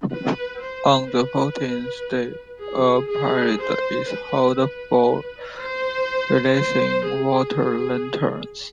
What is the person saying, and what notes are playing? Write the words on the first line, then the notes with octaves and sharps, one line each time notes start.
On the fourteenth day, a parade is held for releasing water lanterns.
B4
C5
B4
G#4
G#4
C5
B4
B4
C5
C5
G#4